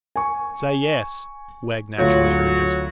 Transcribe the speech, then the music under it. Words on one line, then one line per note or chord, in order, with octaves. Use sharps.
'Say yes,' Wegg naturally urges.
G#5 C#6
D2 F#3 F4 F#4 C#5